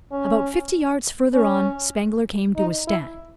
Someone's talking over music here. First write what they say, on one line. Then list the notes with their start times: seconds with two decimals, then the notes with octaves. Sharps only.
About fifty yards further on, Spangler came to a stand.
0.12 C#4
1.34 C#4
2.57 D#4
2.88 E4